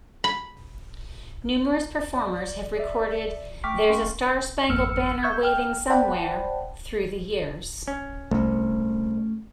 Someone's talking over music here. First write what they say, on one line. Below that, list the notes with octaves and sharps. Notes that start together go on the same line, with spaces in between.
Numerous performers have recorded "There's a Star-Spangled Banner Waving Somewhere" through the years.
B5
D5
D5 E5
A3 G5 C#6 D6 F6 B6
A#3 C#4 A#4 C6 C#6
G#1 F2 A#3 E6 F6 C#7
E5 C#6 E6 G6 G#6
G5 F6
C5 D5 F#5 G5 A5 B5
C#4
C2 A3 C#4